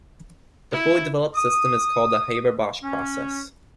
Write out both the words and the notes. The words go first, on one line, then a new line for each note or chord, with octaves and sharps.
The fully developed system is called the Haber-Bosch process.
E4
D#6
C#4